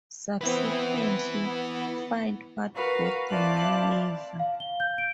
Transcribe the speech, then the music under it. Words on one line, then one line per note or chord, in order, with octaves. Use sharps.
Subsequently, FindWhat bought the name Miva.
B3 C4 E4 B4
B3
F#4 A#4 B4 F5
C4 E4 D5 F5 A5 F#6
F5
G7
G6
D7